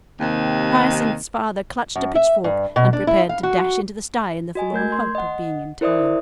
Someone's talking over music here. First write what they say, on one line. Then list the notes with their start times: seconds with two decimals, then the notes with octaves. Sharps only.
Hyacinth's father clutched a pitchfork and prepared to dash into the stye in the forlorn hope of being in time.
0.20 D#2 C3 D#3
1.96 F#2
2.15 E5
2.44 G2
2.76 B2
2.93 D4
3.07 E4
3.29 F5
3.43 F#4
4.55 F#4 D#5 G#5
4.73 A3 A#4 G6 G#6
4.92 C6
5.15 D#5 F#5
5.81 E4 A#4 C5 D5 E5 D#6